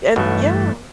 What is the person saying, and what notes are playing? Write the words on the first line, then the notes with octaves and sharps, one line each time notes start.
And yeah.
B1 G2 B2 E3 A3